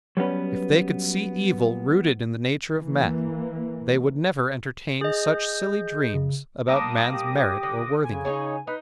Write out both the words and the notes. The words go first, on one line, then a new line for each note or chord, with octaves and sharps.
If they could see evil rooted in the nature of man, they would never entertain such silly dreams about man's merit or worthiness.
F#3 G3 B3 C#4 B4
E3 A#3
G#4 D#5 G6
C#3
G3 A#3 D4 D6 D#6 A#6
G4
D3
C#3 G#5
D#4 G#4 C#5
D#4 B4